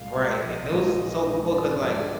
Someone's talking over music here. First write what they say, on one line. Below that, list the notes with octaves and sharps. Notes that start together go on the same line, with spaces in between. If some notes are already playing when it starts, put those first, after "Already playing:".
Right. And those are so cool 'cause, like,
Already playing: C2 A#2 G#3 F5
A#2 G#3
A#1 D#5
A#2 G#3 D#4
A#1
A#2 G#3 D#4
G2 D5
D3 F3 G#3